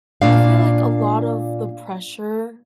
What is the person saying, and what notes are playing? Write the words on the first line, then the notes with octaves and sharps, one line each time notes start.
I feel like a lot of the pressure,
A#2 D4 F5